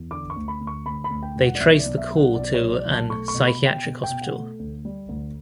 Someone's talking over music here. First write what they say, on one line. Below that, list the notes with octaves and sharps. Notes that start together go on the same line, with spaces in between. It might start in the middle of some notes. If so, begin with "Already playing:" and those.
They trace the call to an psychiatric hospital.
Already playing: E2
D3 D6
C#6
D2
B5
D2
C#6
D2 B5
B5
D2
G5
E1
F#5
D5
B1 E5
D5
B1
E5
F#3
F#5
B1 D5
C#5
F#3
D5
B1
A5
A3 C#6
C#6
B2
B5
B2
G5
B2
G5
B2
F#5
A3
D2
G3
D2